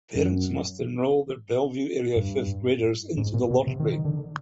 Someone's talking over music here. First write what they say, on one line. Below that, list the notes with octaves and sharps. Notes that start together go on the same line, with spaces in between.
Parents must enroll their Bellevue-area fifth graders into the lottery.
F#2
G2
G#2
A#2
B2
C3
D#3
D#3
D3